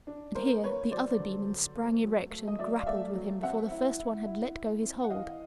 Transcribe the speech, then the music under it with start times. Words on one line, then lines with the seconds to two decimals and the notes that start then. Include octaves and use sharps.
And here, the other Demon sprang erect and grappled with him before the first one had let go his hold.
0.07 D4
0.35 A#3 A#4 C5
0.63 A#3 B4 C#5
0.91 F#3 C5 D5
1.19 D3
1.47 F#3
1.75 A3
2.03 F#3
2.31 A3
2.47 D#5
2.59 F#3 D5 E5
2.80 F5
2.87 A3 D5 E5
3.15 F#3
3.42 C4 E5 F#5
3.71 E4
3.99 E4
4.26 E4
4.55 E4
4.82 C4
5.04 F#5
5.10 E3 D#5 F5